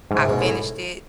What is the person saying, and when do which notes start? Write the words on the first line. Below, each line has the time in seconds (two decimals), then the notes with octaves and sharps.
I finished it,
0.11 G#2
0.17 C3
0.28 G#2 B2
0.40 A2